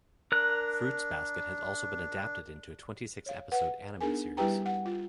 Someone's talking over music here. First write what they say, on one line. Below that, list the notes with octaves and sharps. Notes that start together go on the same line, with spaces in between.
"Fruits Basket" has also been adapted into a twenty-six-episode anime series.
D4 A#4 F#6
C#5 F5
B4 F#5
B3 D4 D#4 G#4 A#4 G#5
G3 E4 G4 B4 G5 A#5
F#5
F4